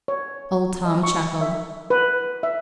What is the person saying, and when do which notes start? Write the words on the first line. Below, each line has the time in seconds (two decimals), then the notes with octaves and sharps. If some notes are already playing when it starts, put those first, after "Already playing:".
Old Tom chuckled.
0.08 C#5
0.85 D#5
1.03 C#6
1.41 E5
1.90 B4
2.43 E5